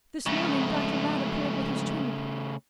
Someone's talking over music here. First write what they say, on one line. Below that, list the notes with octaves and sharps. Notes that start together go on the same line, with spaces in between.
This morning Dr. Ladd appeared with his tube.
F2 G#2 C#3 A3